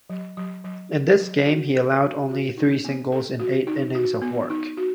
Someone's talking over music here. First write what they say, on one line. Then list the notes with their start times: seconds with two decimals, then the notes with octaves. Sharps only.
In this game, he allowed only three singles in eight innings of work.
0.10 F#3
0.37 F#3
0.65 F#3
0.92 A4
1.20 F#3
1.47 F#4
1.75 A4
2.02 F#4
2.30 F#4
2.57 D#4
2.84 B3
3.12 A4
3.39 F#4
3.67 D#4
3.95 F#4
4.22 B3
4.50 D#4
4.77 F#4